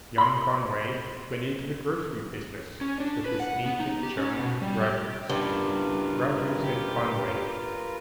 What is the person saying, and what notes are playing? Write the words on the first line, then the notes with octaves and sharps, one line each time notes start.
Young Conway went into the grocery business with his ancient chum, Rodgers--RODGERS & CONWAY!
B5 C6
C#4
D4
B4
F#5
B3
D#4
G4
C#4
B2
G3
G4
G2 C#3 E4 F4 A#4 B4
G4